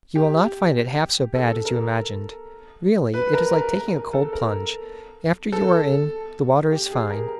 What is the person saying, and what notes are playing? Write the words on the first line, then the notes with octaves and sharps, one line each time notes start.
You will not find it half so bad as you imagined; really, it is like taking a cold plunge: after you are in, the water is fine.
G4
A4
A#4
B4
A#4
A#4
A#4
A#4
A4
A#4
A4
G4
G#4
A#4